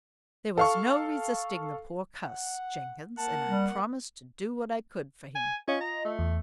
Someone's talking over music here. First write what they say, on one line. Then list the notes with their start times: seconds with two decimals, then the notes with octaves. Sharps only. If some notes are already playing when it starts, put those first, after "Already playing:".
"There was no resisting the poor cuss, Jenkins, and I promised to do what I could for him."
0.58 A4 F5 C#6
2.24 F#5
3.18 A#3 F#5 A5
3.48 G3
5.35 G#5
5.68 C#4 F4 D#5
5.80 A#5
6.05 A3
6.19 E2